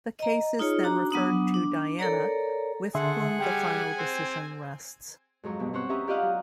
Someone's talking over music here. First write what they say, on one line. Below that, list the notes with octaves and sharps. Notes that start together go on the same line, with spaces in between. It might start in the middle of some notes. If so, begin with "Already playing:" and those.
The case is then referred to Diana, with whom the final decision rests.
D#5 A#5
D#4 F4 G#4 C#5
D4 F#4 A#5
F#3 B3 D4 D#6
D4
A4 A#4 C#5 D5 A#5
D3 G#4 A4 E5 F#5 C6
G3 G5 G#5
C4
F2 G#2 F#3
G2 B2
C4 C5 C#5 F#5
C#4 G4 B4 D#5 E5 A#5
F4 G4 D5 D#5 F5 F#5
F#3